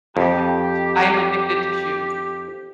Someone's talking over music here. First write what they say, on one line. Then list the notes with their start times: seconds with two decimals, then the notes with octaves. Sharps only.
I have sh I am addicted to shoes.
0.17 F2 G4